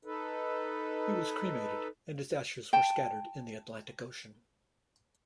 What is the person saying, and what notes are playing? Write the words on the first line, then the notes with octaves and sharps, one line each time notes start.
He was cremated, and his ashes were scattered in the Atlantic Ocean.
D#4 A4 B4
G5 A5